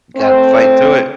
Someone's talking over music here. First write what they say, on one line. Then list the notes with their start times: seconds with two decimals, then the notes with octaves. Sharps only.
you gotta fight through it.
0.16 A3 C4